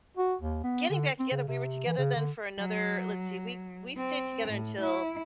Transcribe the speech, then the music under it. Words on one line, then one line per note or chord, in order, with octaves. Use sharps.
getting back together we were together then for another let's see, we we stayed together until
F#4
D#2
B3
D3
C4
C#3
C3
E3
C#3
D3
F#3
C4
A2
E4